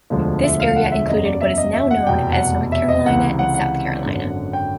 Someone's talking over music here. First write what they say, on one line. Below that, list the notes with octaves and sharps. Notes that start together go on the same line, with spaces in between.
This area included what is now known as North Carolina and South Carolina.
E1 D2 D3 F3 G#3
E5
F5
F#5
E5
F#1 E2 C#3 F#3 D#5
D5
E5
D#5
E5
F#5
F1 E2 B2 G5
F#5
E5
D#5
C#2 C3 E3 F#5
F#5
F#5
G#1 F#2 D3
G5